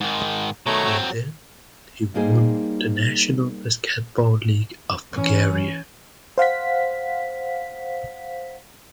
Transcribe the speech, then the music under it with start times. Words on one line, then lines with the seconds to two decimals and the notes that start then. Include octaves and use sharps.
With them he won the National Basketball League of Bulgaria.
0.01 G#2 D#3
0.66 B2 D#3 A3 C#5 A#5
0.85 F#3 C4
2.14 G3 A#3 D#4 G#4 C5
5.13 E3 C#4
6.38 C5 F5 F#5 B6